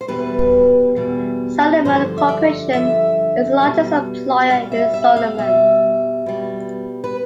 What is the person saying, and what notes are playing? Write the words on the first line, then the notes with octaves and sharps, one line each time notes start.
Solomon Corporation is the largest employer in Solomon.
C5
E2 B2 G3 B4
E2 B2 G3
G2 D3 F3 C5
E5
D5
G2 D3 F3 E5
B2 G3
B2 G3 F5
E5
E5
F5
B2 G3 E5
B2 G3
B4